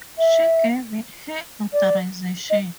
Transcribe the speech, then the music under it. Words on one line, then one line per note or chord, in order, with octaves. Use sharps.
She gave it her authorization.
E5
D5
D#5